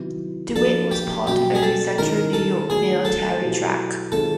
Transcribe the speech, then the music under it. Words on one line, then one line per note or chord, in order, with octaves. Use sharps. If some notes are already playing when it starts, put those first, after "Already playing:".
DeWitt was part of the Central New York Military Tract.
Already playing: C3 D#3 F#3 B3 E4
F3 A#3 D4 F#4 A4
G4
B2 F#3 A#3 C#4 F#4 G4
G#4
A4
D#3 G#3 C#4 E4 G#4 A#4
A4
D#3 F#3 A3 D4 F4 G#4
A4
B2 F#3 B3 E4 G4
D#3 G#3 C4 F4 G#4 A4